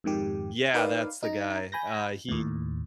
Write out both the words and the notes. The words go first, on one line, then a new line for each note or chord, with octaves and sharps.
yeah, that's the guy. Uh, he
F2 G#2 D#3 G4
D#4 A#4 B4 D5 F5
D#4 A#5
G#5 B5 G6 A#6
D#2 A2